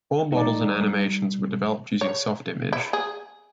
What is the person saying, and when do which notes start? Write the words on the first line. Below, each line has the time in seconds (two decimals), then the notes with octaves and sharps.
All models and animations were developed using Softimage.
0.32 E3 G#3 D#4 F#4 D5
0.72 G3
2.01 C#5
2.73 E4
2.93 G#4